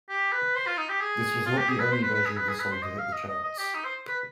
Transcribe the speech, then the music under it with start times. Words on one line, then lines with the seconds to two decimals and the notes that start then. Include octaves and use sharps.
This was not the only version of the song to hit the charts.
0.09 G4
0.32 B4
0.55 C5
0.66 F4
0.78 D#4
0.89 G4
1.01 G#4
1.46 F4
1.57 G4
1.69 G#4
1.80 B4
1.92 C5
2.03 B4
2.15 B4
2.26 G#4
2.37 B4
2.48 G#4
2.60 B4
2.71 C5
2.82 D#5
2.98 F5
3.13 D#5
3.28 D#5
3.43 D#5
3.58 G4
3.74 D#4
3.85 C5
4.08 B4